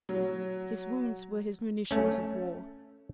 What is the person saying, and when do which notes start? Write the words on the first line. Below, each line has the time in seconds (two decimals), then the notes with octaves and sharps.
His wounds were his munitions of war.
0.09 F#3
1.91 A3 C#4